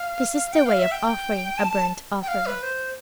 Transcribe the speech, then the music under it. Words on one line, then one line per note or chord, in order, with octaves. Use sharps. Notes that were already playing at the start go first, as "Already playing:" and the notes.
This is the way of offering a burnt-offering.
Already playing: F5
G5
F5
E5
G5
A5
G5
F5
B4
C5